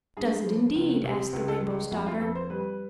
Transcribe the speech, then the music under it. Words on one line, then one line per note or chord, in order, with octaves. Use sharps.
"Does it, indeed?" asked the Rainbow's Daughter.
G2 G#4
F3
C#2
C3
C#2
A4
G#3
F2 F#4
F4
F2 A4
C5
G3 B4